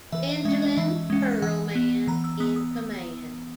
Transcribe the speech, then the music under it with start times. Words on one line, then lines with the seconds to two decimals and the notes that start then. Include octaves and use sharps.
Benjamin Perlman in command.
0.12 E3 E5
0.29 D#5
0.45 G#3 C#4 E5
0.62 D#5
0.77 E3 E5
1.10 G#3 C#4
1.42 E3 F#5
1.75 B3
2.07 E3 A#5
2.24 E6
2.40 B3 D#6
2.56 D#6